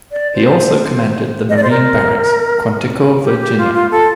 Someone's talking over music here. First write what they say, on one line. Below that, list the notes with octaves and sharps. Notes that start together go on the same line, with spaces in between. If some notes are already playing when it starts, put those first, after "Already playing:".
He also commanded the Marine Barracks, Quantico, Virginia.
D5
C5
D#5
D5
C5
A#4
G4
G4
F4
F4
A4